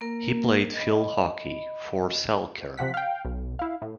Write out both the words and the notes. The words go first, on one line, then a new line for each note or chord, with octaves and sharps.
He played field hockey for Selkirk.
A#3 A#4
D#5 B5
C3 F3 F#5 B6
F5 G5
B1
E4 F5
A2